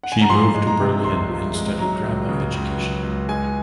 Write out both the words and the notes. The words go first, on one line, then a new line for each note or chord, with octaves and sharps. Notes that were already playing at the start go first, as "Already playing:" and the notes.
She moved to Berlin and studied drama education.
F#5
G#5
A#5
F3 C6
G#3
A#5
C3
C2 C6
F3
G#3
F#3 A#5
C#2
C#3
C#2
F#3
C#2
G#3 G#5